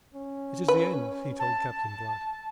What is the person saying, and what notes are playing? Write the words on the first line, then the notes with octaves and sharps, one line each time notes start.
"It is the end," he told Captain Blood.
C#4
B4
A5